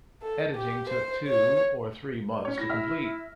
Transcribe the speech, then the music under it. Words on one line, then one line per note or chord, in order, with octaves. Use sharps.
Editing took two or three months to complete.
A4
G4
C5
C#5
C#4 C#5
E4 A#6
E5 F6